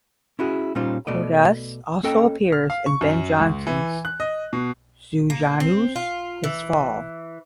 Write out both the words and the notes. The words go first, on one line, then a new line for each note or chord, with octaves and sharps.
Cordus also appears in Ben Jonson's "Sejanus: His Fall".
C#4 E4 F#4 G#4
A#2 G3 C#4 D#4 F4 C5
B2 A3 D5 D#5
A#3 C#4 A4 D#5 G5
F6
F5
C#6
F#2
C#2
E3
F#6
D#5
B2
A#3
C4
F4
E3